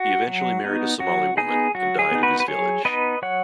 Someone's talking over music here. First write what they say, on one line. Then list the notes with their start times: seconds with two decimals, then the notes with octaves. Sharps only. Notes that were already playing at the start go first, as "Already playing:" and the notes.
He eventually married a Somali woman and died in his village.
Already playing: F#4
0.27 F#3
0.64 B3 D#4
1.00 F#3 F#4
1.37 B3 D#4 G#4
1.75 F#3 F#4
1.99 G#4
2.11 B3 D#4
2.23 F#4 B4
2.40 B4
2.48 F#3 G#4 C#5
2.85 B3 D#4 B4 D#5
3.22 F#3 C#5 F#5